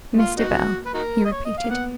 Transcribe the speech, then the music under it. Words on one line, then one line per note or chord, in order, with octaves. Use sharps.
'Mr. Bell,' he repeated.
G#3
A#3 F4
B3 D#4 F#4
B4
D#4 F#4 A#4
D#5
C#5
D#5
F5
A#3
B3 F#5